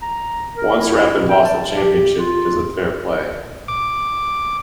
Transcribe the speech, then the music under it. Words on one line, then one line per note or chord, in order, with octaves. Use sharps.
Once Rapid lost the championship because of fair play.
A#5
A#4
E4
G5
A5
G4
F4
D6